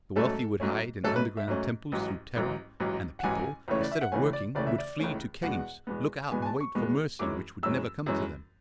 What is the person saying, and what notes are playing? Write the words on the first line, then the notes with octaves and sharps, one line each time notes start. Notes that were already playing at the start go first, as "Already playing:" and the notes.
The wealthy would hide in underground temples through terror, and the people, instead of working, would flee to caves, look out and wait for mercy which would never come to them.
G#2 F#3 A3 C#4 A4
G#2 F#3 A3 C#4
G#2 F#3 A3 C#4 A4
B4
E5
G#2 F#3 A3 C#4
A1 G#2 F#3
A1 G#2 F#3
A1 G#2 F#3
F#5
A1 G#2 F#3 G#5
C#2 C#3 E3 A3 C#4 C#5
D5
E5
F#5
C#2 C#3 E3 A3 C#4 G#5
D5
C#2 C#3 E3 A3 C#4 D5
E5
D5
C#2 C#3 E3 A3 C#4
E2 B2 G#3 B3 F#5
E2 B2 G#3 B3
E2 B2 G#3 B3 G#5
G#5
A5
C#6
E2 B2 G#3 B3
F#2 E3 G#3 C#4 D6
F#2 E3 G#3 C#4 E6
F#2 E3 G#3 C#4